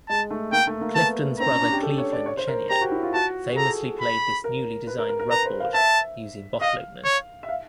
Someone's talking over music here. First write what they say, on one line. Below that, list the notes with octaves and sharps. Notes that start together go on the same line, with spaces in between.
Clifton's brother Cleveland Chenier famously played this newly designed rubboard using bottle openers.
G#3 A5
A3
A#3 G5
A3
A#3
B3 A5
C4 A#5
C#4
D4
G4
A4
C#5
D5
C#5
C5
A#4
G4 A#5
F#4
E4
F4
F#4 A5
G#4
A4 A#5
B5
A#4
B4
A#4
A#4
A#4
B4 A#5
C5
F5
E5 A5
D#5 F5
C#5
E5
F5